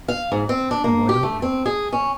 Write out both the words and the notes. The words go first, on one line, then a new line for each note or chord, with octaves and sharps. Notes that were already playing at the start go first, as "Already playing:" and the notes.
'Then why don't you?
F5
G#2
C4
D4
A#3
G4
A3
C4
G#4
C#4